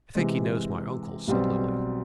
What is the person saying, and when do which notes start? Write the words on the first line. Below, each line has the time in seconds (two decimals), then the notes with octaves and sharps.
"I think he knows my uncle," said Lily.
0.15 C3 E3 G#3
1.28 B1 B2 G3 C4